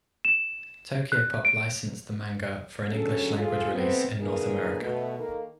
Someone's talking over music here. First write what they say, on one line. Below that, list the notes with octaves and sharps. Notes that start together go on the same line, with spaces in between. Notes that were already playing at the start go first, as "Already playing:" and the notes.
Tokyopop licensed the manga for an English-language release in North America.
E7
F#6
D7
D3 F#3 C#4 G#4 A4
F4 G#4 A4
D#3 A3 B3 C4
A#2 D3 E3 G#4 A#4
B2 A3
D#3 A#3 A4